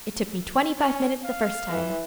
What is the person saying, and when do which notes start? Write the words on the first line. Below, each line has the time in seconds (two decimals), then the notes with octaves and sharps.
It took me twenty-five minutes the first time.
0.78 C#4
1.23 F5
1.70 E3